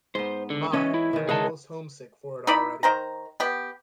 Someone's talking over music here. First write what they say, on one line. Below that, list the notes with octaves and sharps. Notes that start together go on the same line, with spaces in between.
My, I'm almost homesick for it already.
G#2 B3 C5
D3
E3 C#4 C#5 D#5
E4
D#3 E3
C#3 G#3 G#4 A#4 F#5 A5
D#4 E4 D5 B5
D#3 C5 A#5
B3 G4